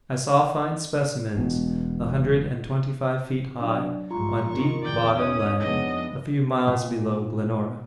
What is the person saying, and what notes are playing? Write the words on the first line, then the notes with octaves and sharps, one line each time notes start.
I saw fine specimens a hundred and twenty-five feet high on deep bottom land a few miles below Glenora.
E1 B2
F#3 D4 D5
A#1 G#2 G3 F4 A#5 C6 C#6
C3 D#3 C#6
E2 D3 D5 G5
C#4 D#4 C#5 E5 D#6
F2 G#3 B3 D4 D#5
A#2